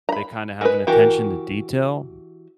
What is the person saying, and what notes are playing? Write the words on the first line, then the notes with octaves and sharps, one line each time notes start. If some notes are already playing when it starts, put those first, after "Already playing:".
they kinda have an attention to detail,
A#5 B5
G#3 B4
E3 F#4 G4 A#4